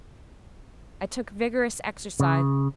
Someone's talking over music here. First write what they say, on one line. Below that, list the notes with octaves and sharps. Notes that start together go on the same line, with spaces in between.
I took vigorous exercise.
C#3